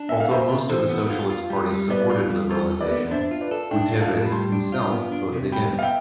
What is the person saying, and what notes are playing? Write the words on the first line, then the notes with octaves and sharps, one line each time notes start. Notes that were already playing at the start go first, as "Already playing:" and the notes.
Although most of the Socialist Party supported liberalization, Guterres himself voted against.
Already playing: D4
B3 E5
F5
F4 C5 E5
C3
E3 A4 C5
B3
F4
F4
G3
G3
B3 B4 D5
F4
G3
F4 A4 C5
A4
B4 D5
B3
D4 C5 E5
F4
B4 D5
A4
D4 E5 G5
F4
F5 A5
A2
B5
G3 A5 C6
D4
F4
B3
D4
C3
G3 G5 B5
B3
F5
E5 G5